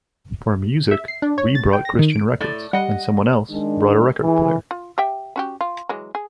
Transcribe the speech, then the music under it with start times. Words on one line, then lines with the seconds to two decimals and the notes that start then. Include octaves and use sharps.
For music, we brought Christian records and someone else brought a record player.
0.91 E5
1.08 C7
1.22 D4
1.38 C#5
1.55 A6
1.73 G5
1.85 A#6
1.99 D#3
2.12 D7
2.40 A2 A4 D5
2.73 G3 D#5 F#5
3.50 D#3 G#3 D4
4.23 E3 E4 G#4
4.71 F4
4.98 G4 E5 G5
5.36 C#4 F#4 G4
5.61 F4
5.89 E3 F#3 G#3
6.15 G#4